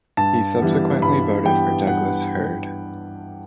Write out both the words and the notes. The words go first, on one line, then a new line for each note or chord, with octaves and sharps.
He subsequently voted for Douglas Hurd.
G2 A5
E3 G3 B3
G2 B5
E3 G3 B3 G5
G2 F#5